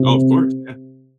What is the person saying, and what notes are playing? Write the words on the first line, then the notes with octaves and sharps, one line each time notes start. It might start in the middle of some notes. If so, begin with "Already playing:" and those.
Oh, of course, yeah.
Already playing: C3